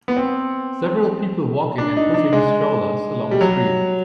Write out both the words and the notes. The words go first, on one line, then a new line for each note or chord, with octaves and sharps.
Several people walking and pushing strollers along a street.
B3
C4
D4
D#4
D4
G#3
G3
F#3